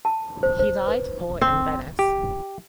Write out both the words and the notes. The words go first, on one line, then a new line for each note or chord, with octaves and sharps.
He died poor in Venice.
A5
C5
C5
B4
C4
G4